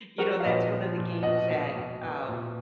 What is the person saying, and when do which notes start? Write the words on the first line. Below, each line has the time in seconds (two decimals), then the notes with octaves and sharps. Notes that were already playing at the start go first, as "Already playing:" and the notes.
you know, that's one of the games that, um,
0.18 F3 F#4 A#4
0.40 F5
0.44 A#2 B4 D#5
0.71 F3
0.97 A#2
1.23 B2 D#5 F#5
1.50 B2
1.76 B2
2.02 B2
2.28 A#2